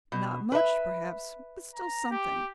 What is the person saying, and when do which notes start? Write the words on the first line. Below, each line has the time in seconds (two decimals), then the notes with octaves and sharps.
"Not much, perhaps, but still something."
0.12 B2
0.52 B4 E5
1.75 A#5
2.11 G4